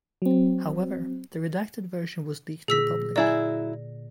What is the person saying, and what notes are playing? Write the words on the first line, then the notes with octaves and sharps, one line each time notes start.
However, the redacted version was leaked to the public.
F#3 C4
A#2 D3 G#4 E6 A#6 B6
F#3 E4 G#4 D5